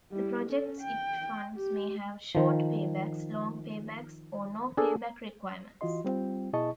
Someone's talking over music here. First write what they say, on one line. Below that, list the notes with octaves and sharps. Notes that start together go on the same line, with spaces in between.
The projects it funds may have short paybacks, long paybacks, or no payback requirements.
G3 E4
C#4 A4
G5
G4
D#3 F3
D4 G#4 A4
E3 F4 F#4 D#5 C6
G3 C4 F4 G5
B2 E4 G#4 D#5 A5 C#6